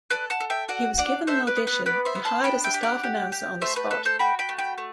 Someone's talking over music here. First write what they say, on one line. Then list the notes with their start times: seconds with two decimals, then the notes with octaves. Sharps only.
He was given an audition and hired as a staff announcer on the spot.
0.10 A4 B4 D5
0.30 F#5 A5
0.40 A4
0.50 E5 G5
0.68 F#4 D5 F#5
0.98 D4 D5 F#5
1.27 A4 C5 E5
1.47 B4 D5
1.56 B3
1.67 B4
1.86 B3 B4 D5
2.05 C5 E5
2.15 B3
2.25 A5 C6
2.44 D4 G5 B5
2.64 E5 G5
2.74 G4
2.83 D5 F#5
3.03 G4
3.32 G4
3.61 A3 C5 E5
3.76 B4
3.91 A4 B4
4.05 A4 C5
4.19 F#4 G5 B5
4.39 G5 B5
4.49 A3
4.58 G5 B5
4.78 A3